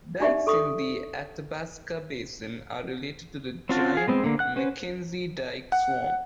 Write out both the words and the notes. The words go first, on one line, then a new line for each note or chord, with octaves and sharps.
Dikes in the Athabasca Basin are related to the giant Mackenzie dike swarm.
D4 D#4 G4 D5 E5
A4 C#6 D#6
C4 C#4 F4 F#4 A5
F4 G#4
G#3 B3 C4
D3 A#3
F#5 F#6
C#4 B4 C5
F#5